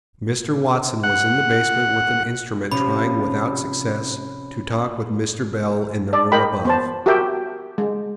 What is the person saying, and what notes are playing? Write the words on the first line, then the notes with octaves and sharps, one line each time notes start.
Mr. Watson was in the basement with an instrument trying without success to talk with Mr. Bell in the room above.
F#5
C3 F3 C#4 B5
D5
A#4 D#5 G5 B5
B3 C5 A5
F#4 G4 A#4 E5 G5
G#3